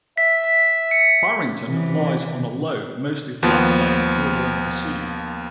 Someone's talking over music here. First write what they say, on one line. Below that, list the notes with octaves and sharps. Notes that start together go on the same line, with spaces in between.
Barrington lies on a low, mostly flat plain bordering the sea.
E5 B6
C#7
C3 E3
D#2 F3 B3